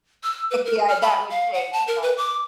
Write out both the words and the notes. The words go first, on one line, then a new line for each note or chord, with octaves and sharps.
yeah, that would change, but
E6
B4
A#4
F6
B5
F5
F#5
A5
A#4
B4
D6